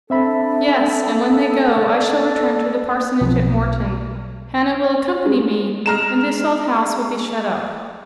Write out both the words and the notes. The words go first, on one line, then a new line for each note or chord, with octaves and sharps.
"Yes; and when they go, I shall return to the parsonage at Morton: Hannah will accompany me; and this old house will be shut up."
C4 D4 A4 E5 B5
D5
B1 F3 C4
G#3
G#3 A#5 F6 E7